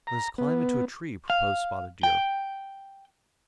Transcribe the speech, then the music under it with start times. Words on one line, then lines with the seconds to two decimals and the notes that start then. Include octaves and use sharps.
"Let us climb into a tree," proposed Spotted Deer.
0.07 A#5
0.38 B3
1.30 F5
2.03 G5